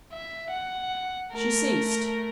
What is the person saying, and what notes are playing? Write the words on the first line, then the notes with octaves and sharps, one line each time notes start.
She ceased.
E5
F#5
A3 A#4